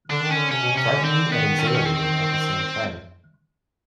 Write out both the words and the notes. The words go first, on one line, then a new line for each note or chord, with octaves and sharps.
Frightening and exhilarating at the same time.
D3 D4
D#3
D3 C#4
C3 C#4
B2
C3
C#4
D3
C4
D#3 B3
C#4
C4
C#4
C4